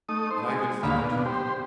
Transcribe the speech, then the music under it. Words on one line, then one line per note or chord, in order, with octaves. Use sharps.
And I could think, too.
A3 D#4 D#6
D#4 C5
G#3
D#2 A#2 D3 F5 B5
B2 D4
G4 C5